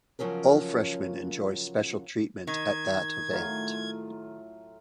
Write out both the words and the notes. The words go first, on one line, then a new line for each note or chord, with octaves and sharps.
All freshmen enjoy special treatment at that event.
C#3 F3 F#3 C#4 A#4
D#3 G#6
A2 F#3 F4